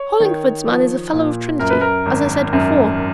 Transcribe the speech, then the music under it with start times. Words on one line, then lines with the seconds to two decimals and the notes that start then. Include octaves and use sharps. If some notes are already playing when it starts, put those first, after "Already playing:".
"Hollingford's man is a Fellow of Trinity, as I said before."
Already playing: C#5
0.20 D#3
0.67 F3
1.13 A#2
1.60 F#2 A#4
1.70 B4
1.81 A#4
2.06 G#1
2.53 F#2